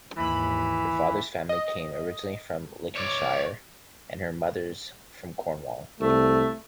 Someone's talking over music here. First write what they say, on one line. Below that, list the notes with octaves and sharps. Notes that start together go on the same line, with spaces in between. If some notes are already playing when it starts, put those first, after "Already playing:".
Her father's family came originally from Lincolnshire and her mother's from Cornwall.
D#2 G#2 E3 B5
D#5
C#5 D5
C2 A3